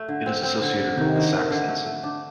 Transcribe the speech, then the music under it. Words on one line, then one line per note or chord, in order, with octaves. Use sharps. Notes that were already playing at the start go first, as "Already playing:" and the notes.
It is associated with the Saxons.
Already playing: A3
D3
C4
C4
D3
D3
C3 D#3 D#4
D3
A3
D3
A3
A3
D4